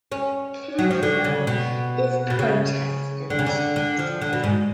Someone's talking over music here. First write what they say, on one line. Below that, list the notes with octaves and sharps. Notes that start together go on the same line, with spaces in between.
Campbell is Protestant.
C#4
F#3
F3
D3
C#3
B2
B2
C#3
D3
C#3
D3
D3
F3
D3
B2
G#2